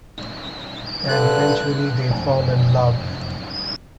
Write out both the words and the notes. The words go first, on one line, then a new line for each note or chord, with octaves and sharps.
And eventually they fall in love.
G2 D3 F#6
F1 F#2